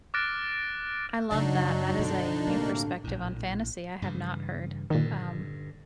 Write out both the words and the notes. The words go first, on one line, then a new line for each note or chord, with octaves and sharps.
I love that, that is a new perspective on fantasy I have not heard, um.
D6 F6 F#6 A6 A#6 D7
F#2 C#3 F#3 D4 D#4
F#2 B2 D3
A2 C3 F#3 A#3
A#1 A2
G2 C#3 E3
G2 A#2 D3 D#3